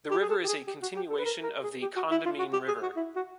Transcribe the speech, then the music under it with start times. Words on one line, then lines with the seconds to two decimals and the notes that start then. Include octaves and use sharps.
The river is a continuation of the Condamine River.
0.11 G4
0.22 G#4
0.29 A4
0.44 G4
0.48 G#4
0.67 G4
0.82 F#4
0.96 G4
1.10 A4
1.18 B4
1.25 A#4
1.43 A#4
1.63 G#4
1.82 G4
1.96 F#4
2.11 E4
2.25 F4
2.39 F#4
2.53 G4
2.68 G#4
2.82 F#4
2.96 E4
3.16 F#4